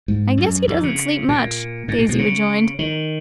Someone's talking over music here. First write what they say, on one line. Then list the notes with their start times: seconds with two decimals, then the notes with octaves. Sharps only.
"I guess he doesn't sleep much," Daisy rejoined.
0.08 G#2
0.38 F#2
0.67 F2
0.83 C#3
1.29 A#2
1.88 G#2
1.98 A#2
2.09 B2
2.18 C#3
2.79 D#3